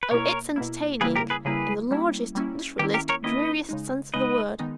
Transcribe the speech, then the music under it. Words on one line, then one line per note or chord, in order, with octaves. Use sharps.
Oh, it's 'entertaining' in the largest, literalist, dreariest sense of the word.
B4
B2 A#3 E4 A#4 C#5
B2 A#3 E4
C#3 G3 A#3 E4 G#4 B4
G4 A#4
G#4 B4
C#3 G3 A#3 E4 G#4 B4
G3 A#3 C#4 E4
G3 A#3 C#4 E4
D#3 A#3 C#4 E4 G4
G4 A#4
A#4 C#5
D#3 A#3 C#4 E4 B4 D#5
C#3 G#3 D#4
C#3 G#3 D#4 B4 D#5
D#3 G#3 B3 D#4